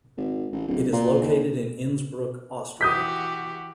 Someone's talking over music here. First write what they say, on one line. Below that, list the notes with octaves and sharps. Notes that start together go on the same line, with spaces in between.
It is located in Innsbruck, Austria.
G#1
A1
D1
A#2
D#2
E3 F#4 G4 D#6 G6 B6